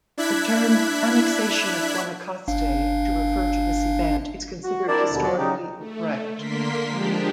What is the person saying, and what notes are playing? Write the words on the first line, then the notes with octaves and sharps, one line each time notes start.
The term "annexation of Guanacaste" to refer to this event is considered historically incorrect.
D4 E4 F#6 G#6 B6
G1 D4 F5
F#4
C4 D4 E4 A#4 D5
D#2 B2 D3
F#3 D5
C#3 F#3 D#4 G4
A3
D3 A#3 A#4 C6 B6
F3 G#3 D4 G4